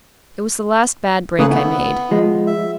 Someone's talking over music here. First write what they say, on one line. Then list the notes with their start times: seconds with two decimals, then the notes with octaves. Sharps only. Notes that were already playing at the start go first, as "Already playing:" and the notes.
It was the last bad break I made.
1.39 C#3 A3 A#3 G#4 B4
1.51 B3 E4
2.11 F3 G#3
2.47 E5